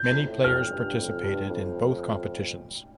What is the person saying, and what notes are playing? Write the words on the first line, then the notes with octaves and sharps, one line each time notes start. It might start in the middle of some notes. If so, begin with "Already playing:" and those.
Many players participated in both competitions.
Already playing: G6
F2
A2
F2 F6
G2
F2
G2
F2